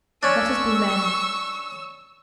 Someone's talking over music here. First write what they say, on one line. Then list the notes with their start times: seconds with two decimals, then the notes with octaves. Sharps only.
Let us be men!
0.23 C#4 D4 C#6 E6